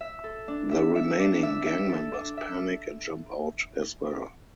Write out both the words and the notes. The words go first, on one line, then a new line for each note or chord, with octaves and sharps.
The remaining gang members panic and jump out as well.
E5
A4
D4
E5
E5
D4
E5
E5
A4
D4
E5